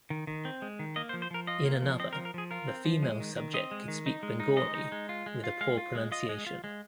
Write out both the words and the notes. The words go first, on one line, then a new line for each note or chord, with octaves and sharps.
In another, the female subject could speak Bengali with a poor pronunciation.
D#3
D#3
C4
G#3
D#3
A#3 D#5
C5
F3
C5
F3 A#4
F4 D#5
A#3
F3
C4 D#5
A#4
F3
A#4
F3 G#4
F4 A#4
C4
F3
G#3
D#3
D#3
C4 D#5
G#3
D#3
D#4
G#3
D#4
G#3 D#5
D#4
G#3
F4
G#3
F4
G#3 F5
F4
G#3
F4 D#5
G#3
F4
G#3